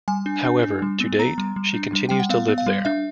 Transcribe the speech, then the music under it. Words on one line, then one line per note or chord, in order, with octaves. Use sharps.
However, to date she continues to live there.
G3 G#5
D4
D4
D4
G3
B3
B3 A#5
G3
G3
D4
G3
G3 G5
F#5
B3 F5
B3
F5
G3
D4 E5